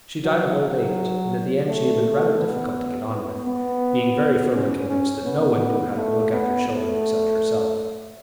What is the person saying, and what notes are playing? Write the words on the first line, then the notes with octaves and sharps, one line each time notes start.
She died of old age, and at the end she had been rather difficult to get on with; being very firmly convinced that no one knew how to look after children except herself.
F#3
F#3
A3
A3
B3
B3
B3
C#4
C#4
B3
A3
B3
A3